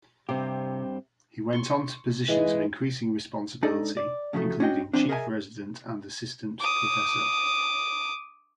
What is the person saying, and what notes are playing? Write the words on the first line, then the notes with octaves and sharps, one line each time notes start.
He went on to positions of increasing responsibility, including Chief Resident and Assistant professor.
G2 C3 C4 G4
C6 C#6
E3 G#3 G#4 G#5
G#2 D4 D#4 A4 D5 D#5
D5
A2 C#3 F3 F#3 G#3 A3
C#4 D4 F#4 D#5 E5 G5
E2 C4 D4
G#4 A#4 D#5 E5 F#5 G#5
D6 D#6